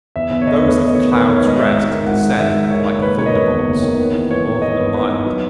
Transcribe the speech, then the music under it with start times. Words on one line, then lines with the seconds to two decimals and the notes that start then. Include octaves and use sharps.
Those of Clouds' Rest descend like thunderbolts for more than a mile.
0.16 E2 E5
0.31 E2
0.42 C#5
0.47 E2 D#5
0.59 B4
0.64 A3
0.69 B4
0.79 E2 C#5
0.88 D#5
0.95 D#3 C#5
1.12 D#3 B4
1.27 D#3
1.37 C#5
1.44 G#2 D#5
1.59 G#2 E5
1.75 G#1
1.92 D#3
2.07 G#1 F#5
2.24 G#3
2.39 D#3 E5
2.55 G#2
2.70 D#3 C#5
2.87 F#1
3.02 F#1 B4
3.18 D#3 C#5
3.26 D#5
3.33 E2 C#5
3.51 F#1
3.66 F#1
3.83 D#3
3.98 B3
4.14 E3
4.30 E3 C#5
4.46 E3
4.62 E3 D#5
4.79 B3
4.94 D#4 B4
5.10 D#4
5.26 F#3